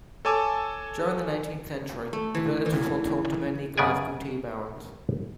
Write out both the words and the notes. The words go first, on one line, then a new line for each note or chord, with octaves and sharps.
During the nineteenth century the village was once home to many Glasgow tea barons.
A4 C#5 G#5 A5 D6 E6
A3
E3
E3
F#2 C#3 B3 B4 D5 G#5